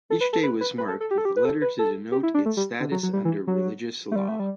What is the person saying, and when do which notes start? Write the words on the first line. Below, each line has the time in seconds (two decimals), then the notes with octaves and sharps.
Each day was marked with a letter to denote its status under religious law.
0.10 A4
0.21 B4
0.33 A4
0.43 B4
0.61 B4
0.78 B4
0.88 A4
1.00 A4
1.11 G4
1.18 A4
1.25 G4
1.36 B4
1.45 A4
1.62 B4
1.79 A4
2.12 G4
2.23 E4
2.34 D4
2.46 A3
2.57 G3
2.80 D3
2.91 F#3
3.03 F#3
3.13 G3
3.25 E3
3.47 F#3
4.11 A3
4.16 G3
4.28 A3
4.39 G3